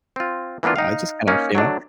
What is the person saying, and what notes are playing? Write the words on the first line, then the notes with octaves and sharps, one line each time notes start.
I just kind of, you know
C4 F4
E3 A#3 B3 D4 F4
D#4 F5
A#3 C#4 D#4
F#3 A3 D4